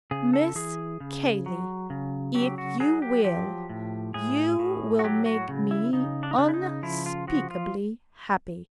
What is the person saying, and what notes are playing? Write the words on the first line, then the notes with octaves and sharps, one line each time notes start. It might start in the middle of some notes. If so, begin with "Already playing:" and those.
'Miss Cayley, if you will, you will make me unspeakably happy.'
C#3 G#4
A4
E3 G#4
C#3
F#3
C#3
F#3 G4
F#4
F#3 G#4
G4
F3 G4
A2
A2 G#4
A2
F#4
F#3 G4
F#4
C#3
E4
C#3 D#4
D4
D#4
C#3 D4
E4
D#4
F3 E4
F4
F3 F#4
F4